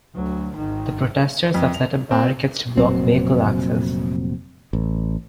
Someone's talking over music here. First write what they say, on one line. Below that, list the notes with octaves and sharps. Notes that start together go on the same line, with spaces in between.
The protesters have set up barricades to block vehicle access.
D2 F#3
G#1 D#3
F2
F7
C4
F1 A#2 F#3 C4
A1